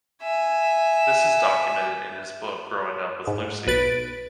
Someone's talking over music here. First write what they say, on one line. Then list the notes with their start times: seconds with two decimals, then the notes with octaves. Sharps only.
This is documented in his book "Growing up with Lucy".
0.23 E5 G#5
3.27 G#2
3.67 B1 B4 A6 D7